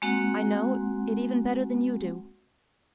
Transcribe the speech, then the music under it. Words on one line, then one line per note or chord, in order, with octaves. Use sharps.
I know it even better than you do.
G#3 A#3 C4 F#4 F#5 C6